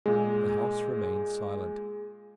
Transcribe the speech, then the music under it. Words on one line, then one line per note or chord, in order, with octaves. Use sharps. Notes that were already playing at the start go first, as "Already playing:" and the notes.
The house remained silent.
A#2 G#3 G#4